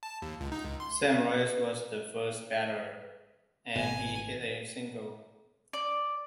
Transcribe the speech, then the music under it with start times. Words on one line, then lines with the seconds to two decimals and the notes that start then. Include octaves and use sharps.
Sam Rice was the first batter, and he hit a single.
0.03 A5
0.22 D#2
0.41 C#2
0.52 D#4
0.65 C#2
0.80 C6
3.76 G#1 B2 G#5
5.73 D5